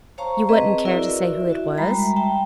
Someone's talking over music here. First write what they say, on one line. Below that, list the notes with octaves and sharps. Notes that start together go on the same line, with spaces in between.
'You wouldn't care to say who it was?'
C5 C#5 F5 A5 A#5 C#6
C4 G#4 B4 D#5
E4 F#4 A#4 D5 E5
F#4 E5
G3 G#3 A#5 B5
E5 G5 A5